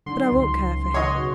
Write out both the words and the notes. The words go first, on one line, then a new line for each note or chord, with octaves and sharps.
But I won't care for him.
D3 F#3 D#4 C6
C#2
C#3 C#5 D#5 F#5
B2 F#4 B4